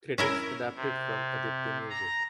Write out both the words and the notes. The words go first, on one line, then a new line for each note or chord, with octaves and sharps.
Credits adapted from Aditya Music.
C#4 E4 A#4
C3
A#5